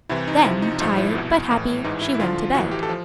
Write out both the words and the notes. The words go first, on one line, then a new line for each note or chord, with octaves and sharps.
Then, tired, but happy, she went to bed.
C2 C3 E3 E4
D#4
C#2 C3 F3 E4
D#4
A#1 G#2 F3 D#4
E4
C2 B2
A#1 A2 E3
A1 G#2 E3 D#4
E4
E4
D2 D3 F3 F4
A1 A2 E3 F#4
G4
A4
F3